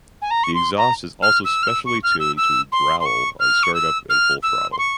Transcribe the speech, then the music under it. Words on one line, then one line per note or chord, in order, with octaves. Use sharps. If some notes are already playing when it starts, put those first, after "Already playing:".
The exhaust is also specially tuned to "growl" on start-up and full throttle.
G#5
A#5
C#6
C6
A#5
F6
E6
F6
E6
C#6
F6
E6
E6
C6
C6
C#6
F6
C#6
E6
F6
E6
C6
C#6